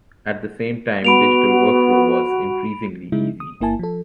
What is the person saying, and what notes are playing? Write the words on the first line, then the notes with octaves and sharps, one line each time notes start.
At the same time digital workflow was increasingly easy.
B3 F#4 B5 D7 F7
C#3 G#3 D#4 E4
D#6
G1 A#3 E4 G#5 A5
F3 A4